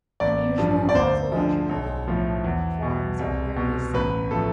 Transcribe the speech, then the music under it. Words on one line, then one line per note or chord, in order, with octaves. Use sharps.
Unusual morphological forms are rarely seen.
A1 D5
G2 F3
D5
D2 C5
D3 F3
B1
A2 F3
E2
B2
C2
B2
A1 B4
A2 F3 A4